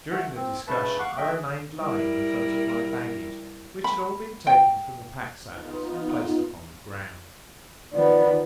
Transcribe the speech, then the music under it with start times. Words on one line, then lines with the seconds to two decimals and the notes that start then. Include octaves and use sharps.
During the discussion I remained lying in front of my baggage, which had all been taken from the pack-saddles and placed upon the ground.
0.11 A3 F#5
0.36 C4
0.67 G2 C#3 A3 B4 A5
0.99 F5 F#5 C#6 D6 F#6
1.17 F#2 F#3 A3 D#5 E5 G5
1.36 G#4
1.81 G3 E4 A#4
3.84 B5
4.47 G5
5.45 B3 D#4 F4
7.93 D#3 F3 B3 D5